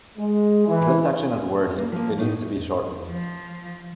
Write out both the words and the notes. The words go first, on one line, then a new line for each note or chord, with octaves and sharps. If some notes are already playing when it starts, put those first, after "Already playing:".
This section is wordy, it needs to be shortened.
G#3
E3
A#3
F3 A#3
A2 D#4
F3